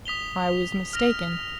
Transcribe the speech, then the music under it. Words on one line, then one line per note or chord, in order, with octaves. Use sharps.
I was mistaken.
D#6 B6 F7 G7
F6 A#6 F7